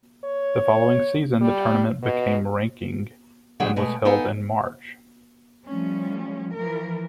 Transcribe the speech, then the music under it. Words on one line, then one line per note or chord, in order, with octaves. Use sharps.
The following season the tournament became ranking and was held in March.
C#5
G3
B2
D3 F#3 G3 G#4 G5
B2 G#3 A3
B3 D#4 A4 F5 G5 G#5
F3 G3 A3 C#4
E3 F3 A#4